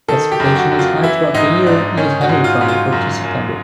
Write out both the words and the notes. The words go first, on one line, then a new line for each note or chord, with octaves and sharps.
Precipitation is high throughout the year, and is heavy from April to September.
D#3 A4
G4
F#2
G4
F#4
F#2
F4
E3 E4
G#2 D#4
G#2 D4
D#3 C#4
F#4
G#2
F4
G#2
F4
F#2
F#2